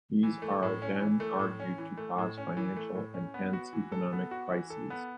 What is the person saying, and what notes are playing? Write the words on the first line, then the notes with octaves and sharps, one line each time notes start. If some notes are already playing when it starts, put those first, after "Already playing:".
These are then argued to cause financial and hence economic crises.
E3
A3
A2
C#4
E3
A3
A2
C#4
E3
A3
A2
C#4
E3
A3
A2
C#4
B3
F#4
E3
A4
B3
F#4
E3
A4
B3